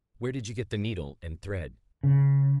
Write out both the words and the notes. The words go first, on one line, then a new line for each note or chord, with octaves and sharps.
"And where did you get the needle and thread?"
C#3